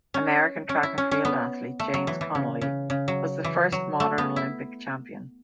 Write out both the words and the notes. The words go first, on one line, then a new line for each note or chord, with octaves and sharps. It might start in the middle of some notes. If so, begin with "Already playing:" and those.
American track and field athlete James Connolly was the first modern Olympic champion.
C#4
C#4
E4
C#4
C#4
B3
A3
F#3
E3
E3
C#3
C#3
C#3
F#3
E3
F#3
A3
B3
E4